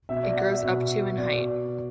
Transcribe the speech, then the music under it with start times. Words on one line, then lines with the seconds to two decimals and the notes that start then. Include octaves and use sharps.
It grows up to in height.
0.09 B2 E5
0.23 D5
0.37 F#5
0.50 E5
0.63 B2
1.18 B2 D5